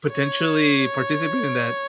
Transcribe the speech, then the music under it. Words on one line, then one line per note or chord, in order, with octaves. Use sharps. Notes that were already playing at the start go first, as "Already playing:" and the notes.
potentially participate in that
C#5